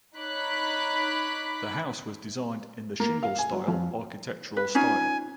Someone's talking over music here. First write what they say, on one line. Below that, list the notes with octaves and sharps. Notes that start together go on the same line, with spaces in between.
The house was designed in the Shingle style architectural style.
D#4 C#5 B5 D6 F#6 B6
A#3
F5
G#5
F#3
F2
B4
C#4 D#4 F4 G#5